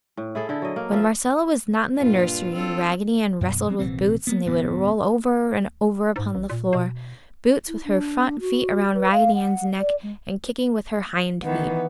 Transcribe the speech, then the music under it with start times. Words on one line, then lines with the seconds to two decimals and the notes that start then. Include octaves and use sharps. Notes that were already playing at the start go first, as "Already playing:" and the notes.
When Marcella was not in the nursery, Raggedy Ann wrestled with Boots and they would roll over and over upon the floor, Boots with her front feet around Raggedy Ann's neck and kicking with her hind feet.
0.17 A2
0.35 E4 G#4 A4
0.49 D3 E4
0.62 F#3 D#5
0.76 A#3
0.91 F3 A4 E5 F5
1.97 G2 A#2 F4
2.53 C4 F4 A4
3.41 F#2 B2
3.68 F#3 C4
3.79 A#1 C3 E3 C4
4.27 A#3 B3
4.46 D1 G2 B3
6.16 G#2
6.35 A1
6.50 A#2
6.73 B2
7.68 E4
7.85 D4
8.40 F#4
8.95 B4
9.12 F5
9.35 F#5
9.79 D5
10.03 G#3
11.44 D#3 E3 B3